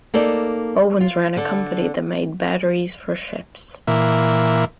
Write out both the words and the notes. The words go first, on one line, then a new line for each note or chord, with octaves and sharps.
Owens ran a company that made batteries for ships.
A#3 D#4 A4 D5
F4
D3 D4 A4
A#2 E3